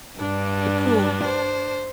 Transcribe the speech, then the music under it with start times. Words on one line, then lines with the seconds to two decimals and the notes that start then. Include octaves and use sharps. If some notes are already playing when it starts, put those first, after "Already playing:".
the pool,
0.19 G2 D4
1.24 C5